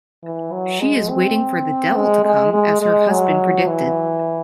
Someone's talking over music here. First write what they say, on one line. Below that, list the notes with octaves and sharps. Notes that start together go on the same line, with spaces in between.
She is waiting for the devil to come, as her husband predicted.
E3
F#3
G#3
C4
G#3
G#3
G#3
G#3
F#3
E3